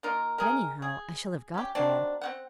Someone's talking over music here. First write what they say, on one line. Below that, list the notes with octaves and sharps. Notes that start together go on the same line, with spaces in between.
But, anyhow, I shall have got there.'
A#3 D#4 F4 A#4
D#3 G#4 A#4
G#4
C#4 G4
D#3 F#3 C4 D4
C4 C#4 F#5